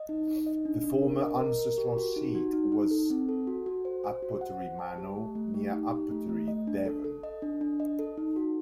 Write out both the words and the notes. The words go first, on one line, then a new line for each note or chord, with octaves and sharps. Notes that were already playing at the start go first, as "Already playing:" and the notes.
The former ancestral seat was Upottery Manor, near Upottery, Devon.
Already playing: D#5
D#4
D#4
D#5
D4
D4
A#4
D#5
A#4
A#4
G4
F#4
D#4
F#4
D#4
D#4
A4
C4
A4
F#4
F#4
C5
C5
F#4
F#5
C5
A5
G4
A3
A3
G4
D#4
G4
A3
A3
D#5
D4
A4
A4
D#5
D4
D4
D#5
A4
D#4
F#4